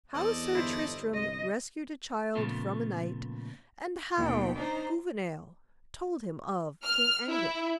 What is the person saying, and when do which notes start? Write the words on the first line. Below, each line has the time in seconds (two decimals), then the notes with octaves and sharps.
How Sir Tristram rescued a child from a knight, and how Gouvernail told him of King Anguish.
0.14 E2 C4 A4 D5 D#5
0.53 G1 E4 C5
1.14 C2 D#5
2.35 A#2 C#3 F3 A3 B3 F4
4.17 D#2 B2 G5
4.59 D4 D#4 C5 A#5
6.84 F6
7.29 E4